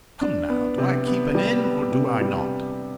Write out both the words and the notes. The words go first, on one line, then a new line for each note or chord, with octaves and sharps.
Come now, do I keep an inn, or do I not?
D4
B3
C3
B3
G3
B3
C3
G3